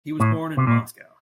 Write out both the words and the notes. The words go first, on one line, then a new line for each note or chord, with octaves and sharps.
He was born in Moscow.
A2
C3
A#2